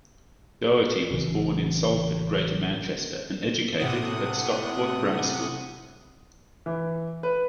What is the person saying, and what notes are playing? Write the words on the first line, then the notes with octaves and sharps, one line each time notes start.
Dougherty was born in Salford, Greater Manchester and educated at Stockport Grammar School.
A1 C#3 E3
A2 C3 F#5 D#6
E3
B4